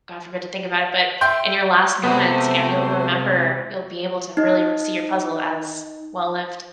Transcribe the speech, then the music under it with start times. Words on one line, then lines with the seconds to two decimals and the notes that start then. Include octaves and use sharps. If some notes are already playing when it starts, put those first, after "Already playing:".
god forbid to think about it, but in your last moments, you know, you'll remember, you'll be able to really r see your puzzle as well-lived.
1.21 E5 G5 C6 G6
2.03 C3 G#3 A3 B3 C5
4.37 D#4 D#5